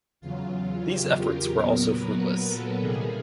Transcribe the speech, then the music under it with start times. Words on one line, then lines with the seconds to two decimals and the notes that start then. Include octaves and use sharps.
These efforts were also fruitless.
0.21 E2 C#3 F#3 F4
0.53 F4
0.86 G4
1.18 A#4
1.50 A#2 F#3 B3 A#4
1.83 B4
2.16 B4
2.48 A4
2.80 C3 D#3 G3 A#3 G#4